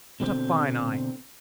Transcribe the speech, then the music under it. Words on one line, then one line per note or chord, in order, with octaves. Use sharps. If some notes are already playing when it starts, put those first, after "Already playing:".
What a fine eye!
B2 D3 C4